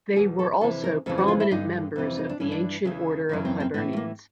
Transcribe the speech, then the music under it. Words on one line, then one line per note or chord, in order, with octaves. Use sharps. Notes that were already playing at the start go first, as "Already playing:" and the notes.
They were also prominent members of the Ancient Order of Hibernians.
E2 B2 G#4
A4
F2 C3 E3 A4
A#4
F2 C#3 E3 A4
F#4
F4
E4
G2 D3 D#4
F2 C3 E3
D#4
D4
G2 E3 C#4
D4
E2 C#3 E3
F#2 C#3 E3
C4
C4
A2 E3 B3
A3
A#3